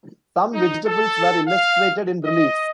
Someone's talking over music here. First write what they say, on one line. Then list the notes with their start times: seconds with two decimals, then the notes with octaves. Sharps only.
Some vegetables were illustrated in reliefs.
0.54 D#4
0.86 A4
1.48 F5
2.25 D#5